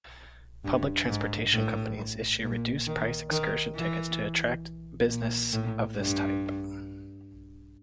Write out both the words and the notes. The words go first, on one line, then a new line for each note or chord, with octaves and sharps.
Public transportation companies issue reduced price excursion tickets to attract business of this type.
G2
G#2
A2
A#2
D#3
D#3
E3
A#2
A2
G2